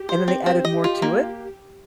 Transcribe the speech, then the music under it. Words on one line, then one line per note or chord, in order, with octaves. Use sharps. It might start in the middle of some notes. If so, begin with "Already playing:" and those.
and then they added more to it.
Already playing: G4
C5
C4
C4
G4 D#5
F4
A#3